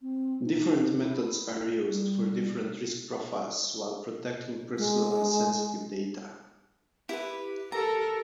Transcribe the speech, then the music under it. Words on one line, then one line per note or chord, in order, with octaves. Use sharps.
Different methods are used for different risk profiles while protecting personal and sensitive data.
C4
D#4
E4
G3
G#3
E4 G4 B4
A4 A#4 A#5